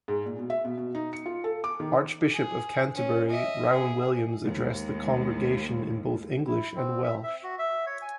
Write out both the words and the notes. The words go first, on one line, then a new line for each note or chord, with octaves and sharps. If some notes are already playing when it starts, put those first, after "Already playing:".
Archbishop of Canterbury Rowan Williams addressed the congregation in both English and Welsh.
G#2
A#2
B2
E5
B2
B2
D#4
C#7
F4
A4
D6
D#3
G#4
C#4
D#5 E5
G#4
D#2 G#3
E4
C4
E5
E5
F#4
E5
C#5
G#5